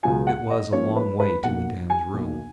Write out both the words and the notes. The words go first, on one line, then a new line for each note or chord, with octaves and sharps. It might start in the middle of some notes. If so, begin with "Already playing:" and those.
It was a long way to Madame's room.
C#2 B2 F#3 B3 F4 G#5
F#5
D#5
G#2 F3 A#3 C#4 C#5
B4
B4
B1 B2 A#3 F#5
G#5
B1 B2 A#3 D#4